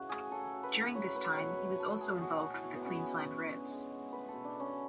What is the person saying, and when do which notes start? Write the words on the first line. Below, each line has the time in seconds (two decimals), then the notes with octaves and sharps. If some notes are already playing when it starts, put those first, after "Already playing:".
During this time he was also involved with the Queensland Reds.
Already playing: C#3 E3 F#4
0.09 A3 G#4
0.31 F#3 A4
0.53 F#3
0.63 B4
0.73 A2
0.84 B4
0.95 F#3 C#5
1.15 A3 B4
1.37 B2 C#5
1.58 A3 B4
1.79 A3 A4
2.00 A3 G#4
2.21 B2 F#4
2.43 B2
2.54 E4
2.65 B2
2.75 B3
2.85 G#3 C#4
3.07 B2
3.27 G#3
3.48 D3
3.70 G#3
3.92 G#3
4.12 A3 B4
4.29 B2 A4
4.45 D4
4.55 A3 C#4